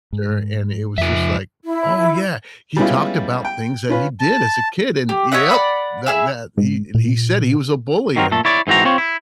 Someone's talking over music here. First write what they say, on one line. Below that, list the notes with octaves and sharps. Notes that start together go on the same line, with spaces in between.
pastor, and it was just like, oh, yeah, he talked about things that he did as a kid and yep. That that he and he said he was a bully and,
G#2
F2 F3 E5
E4
G3 G#3 B3 C#4 E4 F4
G5
C#4 F4 B4
A5
G4
C#5 D#5 E5 F#5
D5 D#5 F#5 B5
E4 G#4 E5
G#2
A#2
D#3 F#3 C4 A#4
A#2 A3 A4
E4 C#5 D5
G#2 E3 C4 F#4 A#5
C4 F4 C#5
E4